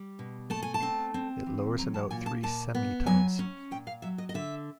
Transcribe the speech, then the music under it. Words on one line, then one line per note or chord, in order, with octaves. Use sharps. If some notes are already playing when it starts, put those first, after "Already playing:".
It lowers a note three semitones.
Already playing: G3
B2
A3 A5
G#5
A5
C4
C4
E3
F#3 A#5
A5
A#2 G#5
A5
A#2 A5
B3
F#3 G#5
C#4
A#2 G5
F5
F#3 E5
D#5
D#5
D3 E5